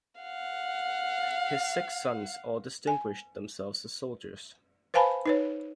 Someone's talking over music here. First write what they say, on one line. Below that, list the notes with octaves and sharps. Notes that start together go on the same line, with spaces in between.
His six sons all distinguished themselves as soldiers.
F5 F#5
G#5
B4 C5 F5 G#5 A5 B5
D#4 B4 C#5